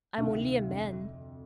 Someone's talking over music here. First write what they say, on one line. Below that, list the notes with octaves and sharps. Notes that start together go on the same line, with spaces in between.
I'm only a man.'
D2 C3 D#3 F5
F2 D3